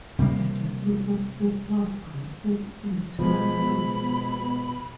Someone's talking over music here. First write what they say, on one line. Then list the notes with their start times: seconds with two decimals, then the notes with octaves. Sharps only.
The districts of Cyprus are listed in the table below.
0.19 C3 G3 A3 A#3
3.19 B2 F3 G#3 B5